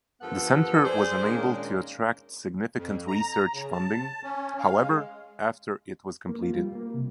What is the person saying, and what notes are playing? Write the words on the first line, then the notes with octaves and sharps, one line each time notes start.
The center was unable to attract significant research funding, however, after it was completed.
G2 F3 B3 A4 A#4 F#5
G#4 C5 D5
A#2 D#3 G#3 A#3 C#4 D4
F2
A#5
C#3
A5
C#4
F5
G#3
A#3
F4
G3
A#3
C3